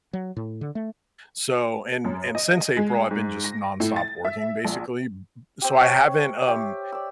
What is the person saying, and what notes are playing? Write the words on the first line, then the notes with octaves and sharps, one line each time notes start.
so and and since April, I've been just nonstop working, basically, b b so, I haven't um,
F#3
A2
D3
A3
F#2
D#5
G#3
G#2
A#6
A2
A6
E5
A#1
C4 G4
C5 C#5
G4 E5
D5 E6